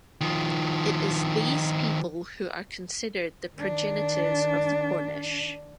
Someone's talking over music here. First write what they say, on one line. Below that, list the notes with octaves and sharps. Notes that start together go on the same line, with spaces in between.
It is these people who are considered the progenitors of the Cornish.
D#3 F3
D#3 D4